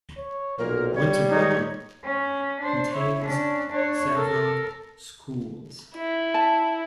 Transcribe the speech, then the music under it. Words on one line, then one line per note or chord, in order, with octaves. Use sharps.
Winterbourne contains several schools.
C#5
B1 A#2 A#4
G3 C#5
G#2 D#3 D#4 C#5
C#4
D4 C5
E4 C#5
C#4 D4
D4 C#5
A4 A#4
E4
A5